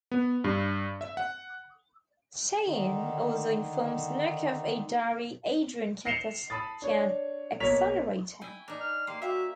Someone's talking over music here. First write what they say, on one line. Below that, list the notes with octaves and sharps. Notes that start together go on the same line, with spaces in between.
Cheyenne also informs Nick of a diary Adrian kept that can exonerate him.
B3
G2
E5
F#5
D3 D#3 D#4
A#6 C7 C#7 E7 F7 G7
A5 B5 D#6 A6
D4 C#5
B1 A#3 C#5 A#5 B6 F7
E4 G5 G#5
D4 D#4 A#4
F6
A#3 G4 C6
F#4 E5 F5 G5 D6